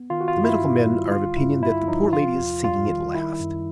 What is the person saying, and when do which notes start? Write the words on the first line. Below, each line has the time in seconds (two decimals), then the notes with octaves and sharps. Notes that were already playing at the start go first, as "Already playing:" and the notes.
The medical men are of opinion that the poor lady is sinking at last.
Already playing: B3
0.10 D#3 F4
0.21 F#4
0.28 F4
0.36 G2
0.44 E4
0.61 G2
0.86 G3
1.12 D3 F4
1.37 G2 E4
1.62 G2 E4
1.87 F3 D#4
2.13 C3 F4
2.38 E2
2.64 G3 F4
2.89 D#3
3.15 D#3 E4
3.40 F#2